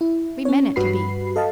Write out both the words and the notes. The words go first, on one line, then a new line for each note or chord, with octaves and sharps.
We meant it to be.
E4
C#4 C#5
G2 G3 F#4 B4 B5 C7
A4 D#5 F5 A5